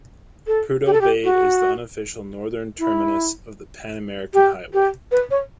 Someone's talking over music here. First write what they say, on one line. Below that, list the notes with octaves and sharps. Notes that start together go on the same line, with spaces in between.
Prudhoe Bay is the unofficial northern terminus of the Pan-American Highway.
A4
G4
A4
G4
F#4
E4
G4
G4
B4
C#5